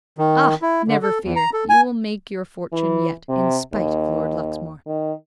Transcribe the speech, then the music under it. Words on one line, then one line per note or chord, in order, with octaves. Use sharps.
"Ah! never fear; you will make your fortune yet, in spite of Lord Luxmore."
D#3
E4
D3
A4
E2
A#5
A4
G#5
E3
C3
D#2
D#3